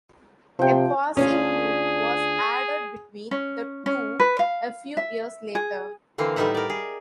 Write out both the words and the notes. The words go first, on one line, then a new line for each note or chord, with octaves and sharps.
A passing loop was added between the two a few years later.
C3 F3 G5
D2 C#4 D4 F4 G#4
C#4
C#4
B4
F5
E5
G#4
D3 E3 A#3 C4
A2 G3 B3 D#4 E5 F#5
A#4 D5
G#4